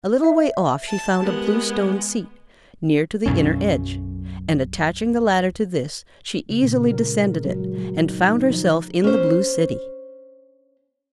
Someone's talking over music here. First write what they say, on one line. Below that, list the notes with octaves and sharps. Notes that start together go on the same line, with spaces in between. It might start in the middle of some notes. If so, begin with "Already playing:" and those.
A little way off she found a bluestone seat, near to the inner edge, and attaching the ladder to this she easily descended it and found herself in the Blue City.
E5
A5
G#3 B3 G4 A#4
B1 F#2 C#4
C#3
A#2
A#4
G#3
F#3
F#3
D#4
D#4
F3
C#4 C5